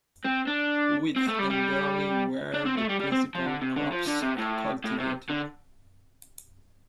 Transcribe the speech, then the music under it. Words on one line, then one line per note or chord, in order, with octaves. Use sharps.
Wheat and barley were the principal crops cultivated.
C4
D4
C4
A3
G3
G3
D4
C4
A3
G3
G3
C4
F3
D3
C3
D3
F3
D3
C3
A2
A2
C3
D3